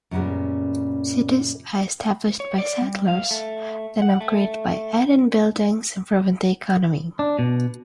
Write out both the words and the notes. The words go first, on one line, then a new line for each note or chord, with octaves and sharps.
Cities are established by settlers, then upgraded by adding buildings improving the economy.
F#2 A#2 C#3 G3 G#3 B3
C#5
D5
G3
F5
A3
F#5
A3
D4
B2